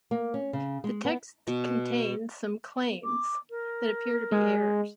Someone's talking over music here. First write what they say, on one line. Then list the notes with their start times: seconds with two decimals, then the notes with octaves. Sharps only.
The text contains some claims that appear to be errors.
0.11 A#3
0.34 C#4
0.53 C#3
0.84 G#3
1.05 B3
1.48 B2
3.04 D6
3.50 A#4
4.32 G#3